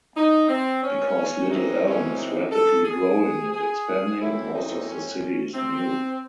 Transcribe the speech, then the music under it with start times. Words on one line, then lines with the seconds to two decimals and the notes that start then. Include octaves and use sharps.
Because Little Elm is rapidly growing and expanding, most of the city is new.
0.15 D#4
0.49 C4
0.83 C#4
1.50 F#2 E3 G#3 C4 D#4
1.84 C#4
2.17 D#4
2.51 A4
2.84 G#4
3.52 G#4
4.19 F#2 E3 A3 C4 E4
4.53 D#4
4.87 C#4
5.54 C4